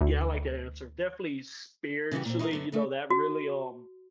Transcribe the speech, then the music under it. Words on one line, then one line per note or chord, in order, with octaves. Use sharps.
Yeah, I like that answer, definitely spiritually, you know, that really, um
D2
C#3 E3 G3 F#4 G4
A#2 C4
D#4 E4 F#4 G#4 A#4
F#2 D3 B3
C#3 A3
F#4